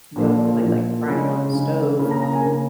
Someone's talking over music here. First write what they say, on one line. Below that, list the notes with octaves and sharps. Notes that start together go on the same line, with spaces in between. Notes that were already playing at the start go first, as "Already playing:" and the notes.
don't feel like, like, frying it on the stove,
A#2 F3 A#3
A#2 F3 A#3
C#3 G#3
C#3 G#3
C#3 A#3
A#5
A#5
G#5
C#3 A#3